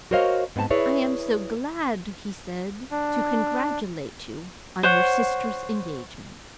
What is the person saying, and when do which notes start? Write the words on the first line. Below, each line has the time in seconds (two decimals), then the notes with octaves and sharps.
"I am so glad," he said, "to congratulate you on your sister's engagement."
0.11 F#4 A#4 C5 C#5 D#5 F5
0.56 G#2 B3 C4 G#5 A5
0.70 E4 G#4 B4 C#5 D5 E5
2.91 D4
4.83 C5 C#5 F#5